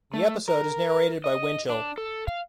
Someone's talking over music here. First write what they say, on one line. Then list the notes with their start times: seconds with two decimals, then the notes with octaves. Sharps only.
The episode is narrated by Winchell.
0.14 A3
0.48 A#4
1.24 D#5
1.70 D4
1.98 A4
2.27 F5